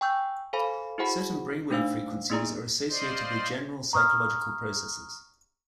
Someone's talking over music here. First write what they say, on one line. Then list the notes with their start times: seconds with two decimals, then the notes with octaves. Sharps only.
Certain brainwave frequencies are associated with general psychological processes.
0.01 G5 G#5 C#6 E6 G6
0.53 A4 C5 F5 G#5 B5
0.98 E4 F#4 G#4 C5 F#5 B5
1.70 A3 D4 D#4 C5 F5 E6
2.30 A#3 B3 D#4 G#4 D5 A#5
2.90 F4 C5 D5 D#5 C6
3.93 A#5 C#6 D#6 F6